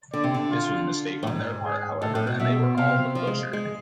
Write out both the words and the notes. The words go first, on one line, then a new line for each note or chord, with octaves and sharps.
This was a mistake on their part, however, and they were all but butchered.
D3 D5
C3
D3
F4
A2
G#2
G#4
A2 A4
A2
B2
B2 E5
C3 F5
F3
G#3
G#3